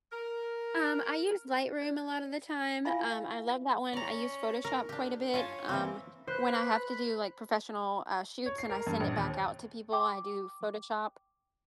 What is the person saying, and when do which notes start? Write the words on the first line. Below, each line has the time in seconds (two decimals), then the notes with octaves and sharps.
Um, I use Lightroom a lot of the time, um, I love that one, I use Photoshop quite a bit, um, when I have to do, like, professional, uh, shoots, and I send it back out to people, I do Photoshop,
0.12 A#4
1.81 D5
2.85 E4 F4 E5 F5 G#5 B5
3.93 C#4 D5 A#5
4.64 A#4
4.89 D4 G4
5.34 C#4 F4 G#5 A5
5.69 E3 A#3 C4
6.27 B4 C5 B5 F#6
8.46 C#5
8.58 C7
8.70 A#4
8.87 G2
9.00 A#1
9.16 D#2
9.92 G5 D6